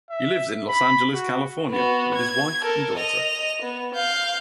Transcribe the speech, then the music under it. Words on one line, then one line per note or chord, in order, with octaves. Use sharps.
He lives in Los Angeles, California with his wife and daughter.
E5
B5
F#4
B3 F#4
G#6
A4 A#4
D#5 F7
B3
F5 G6